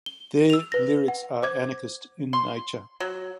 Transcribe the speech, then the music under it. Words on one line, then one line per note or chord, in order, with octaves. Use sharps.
Their lyrics are anarchist in nature.
G7
E6 F7
B4 A#6
F#5
C5 D6 G#6
C6
F#3